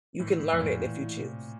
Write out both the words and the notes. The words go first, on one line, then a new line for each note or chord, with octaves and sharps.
You can learn it if you choose.
A2 E3
A2
F2 A#2
A2
A2
E3
C3